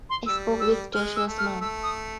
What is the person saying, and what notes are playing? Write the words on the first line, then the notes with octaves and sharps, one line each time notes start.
I spoke with Joshua’s mom.
C6
G3 E6
E6
G#3 F6
E6
A3
F6
A3 E6
D#6